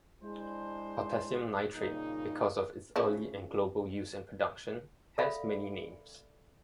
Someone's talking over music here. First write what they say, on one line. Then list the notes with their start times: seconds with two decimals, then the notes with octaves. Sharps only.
Potassium nitrate, because of its early and global use and production, has many names.
0.23 G#3 D4 E4 C5
1.75 A#2 C#3 G3 A#3 D#4
2.96 C#3 F3 E4
5.18 A4 D5 E5 F5 B5